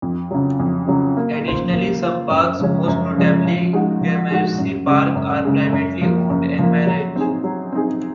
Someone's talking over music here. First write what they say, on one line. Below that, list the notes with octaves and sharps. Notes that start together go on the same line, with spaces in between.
Additionally, some parks, most notably Gramercy Park, are privately owned and managed.
F2
C#3 F#3
F2
C#3 F#3
A#3
F4 C5
A#3
F4 C5
F#2
C#3 F3 G#3 C#4
F#2
C#3 F3 G#3 C#4
F3
G#3 D#4 F#4
F3
G#3 D#4 F#4
F#2
C#3 G#3
F#2
C#3 G#3
F#2
F3 A#3
F#2
F3 A#3
F#3
C4 D#4 G#4
F#3
C4 D#4 G#4